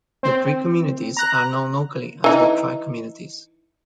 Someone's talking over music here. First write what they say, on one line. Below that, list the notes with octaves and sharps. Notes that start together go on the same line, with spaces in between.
The three communities are known locally as the 'tri-communities'.
C4
A#5 F#6
E3 D#4